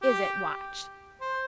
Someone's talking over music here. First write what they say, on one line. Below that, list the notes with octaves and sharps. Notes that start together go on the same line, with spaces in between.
"Is it, Watch?"
G4
C5